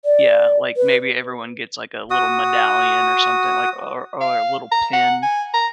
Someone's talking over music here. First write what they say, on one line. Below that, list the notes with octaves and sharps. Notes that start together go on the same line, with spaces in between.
Yeah, like, maybe everyone gets, like, a little medallion or something, like, o or or a little pin?
D5
B4
F#4 D#6
F5
A#5
F#5
G#5
A#5